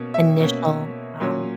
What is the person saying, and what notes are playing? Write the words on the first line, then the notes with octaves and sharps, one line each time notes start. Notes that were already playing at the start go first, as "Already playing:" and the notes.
initial, um,
Already playing: B2 A#3 C#4
E5
B2 A#3 C#4
A#2 F#3 C#4